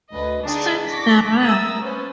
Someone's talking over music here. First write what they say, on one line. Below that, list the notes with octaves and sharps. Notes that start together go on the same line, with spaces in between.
Since the Rev.
D2 B4 D#5
D3 D4 D#4 G#4
C#6 D6 A#6 B6
A#4 E5 A#5 D#6 E6 A6
C#4 B4 C5